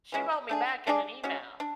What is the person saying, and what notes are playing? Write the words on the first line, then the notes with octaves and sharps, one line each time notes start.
She wrote me back in an email,
E3 G#3 C#4
A3 D4 G#4
G#3 D4 G#4 D5
G#3 C#4 F#4
D4